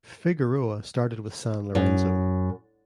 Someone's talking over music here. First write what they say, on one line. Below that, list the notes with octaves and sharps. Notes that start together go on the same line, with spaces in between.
Figueroa started with San Lorenzo.
F#2